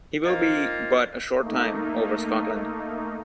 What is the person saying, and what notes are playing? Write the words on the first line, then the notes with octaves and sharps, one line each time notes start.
He will be but a short time over Scotland.
A#3 C4 D#4 F4 C5 F5
A3 A#3 D#4